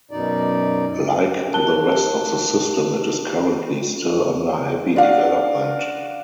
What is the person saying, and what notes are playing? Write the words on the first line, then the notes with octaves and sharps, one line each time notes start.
Like the rest of the system it is currently still under heavy development.
F#2 B2 D#4 D5
G4 A#4 A5 F#6 G7
D4 F#4 F5